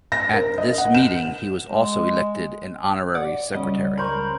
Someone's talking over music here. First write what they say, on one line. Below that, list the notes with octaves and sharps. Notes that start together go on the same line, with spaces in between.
At this meeting he was also elected an honorary Secretary.
A#6
A#4
D#5
F#5
E7
G#3
D5 F#5
C#2 G3 C#4 D#5
A#4 C5 B5 C#6